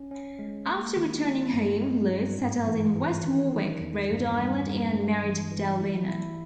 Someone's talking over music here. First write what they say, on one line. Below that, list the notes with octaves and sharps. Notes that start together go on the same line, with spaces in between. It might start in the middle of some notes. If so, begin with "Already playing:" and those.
After returning home, Luz settled in West Warwick, Rhode Island and married Delvina.
Already playing: C#4
C#4
G#3
A#3
D#3
E4
G2
G#3
G2
G#2
E3
E3
D#3
D#3
E2
G2
G2
G2
G#3
E3
E3
E4
E4